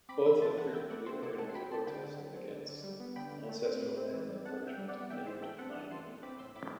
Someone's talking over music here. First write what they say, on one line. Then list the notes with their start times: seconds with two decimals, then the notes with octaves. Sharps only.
Both have frequently organized protests against ancestral land encroachment and mining.
0.09 C4 B5 D6
0.26 E3 C6 E6
0.41 A3 A5 C6
0.57 E3 F#5 A5
0.73 E3 E5 G5
0.90 A3 D5 F#5
1.06 C4 C5 E5
1.23 C3 D5 F#5
1.38 C3 F#5 A5
1.49 C6
1.54 F#3 G5 B5
1.71 C4 A5 C6
1.87 D3 G5 B5
2.03 D3
2.20 F#3
2.36 C4
2.51 D3
2.68 D3
2.83 G3
3.00 B3
3.16 D3 G5 B5
3.32 D3
3.49 A3
3.65 C4
3.81 A2
3.97 C4
4.13 E3
4.29 G3
4.45 C3 F#5 A5
4.62 C3 E5 G5
4.78 G3
4.88 D5 F#5
4.94 B3
5.10 E3 E5 G5
5.26 E3 C5 E5
5.42 A3 E5 G5
5.59 C4 F#5 A5
5.75 E3 F#5 A5
5.91 E3 A5 C6
6.08 A3
6.23 C4 B5 D6
6.39 A2 C6 E6
6.56 A2 B5 D6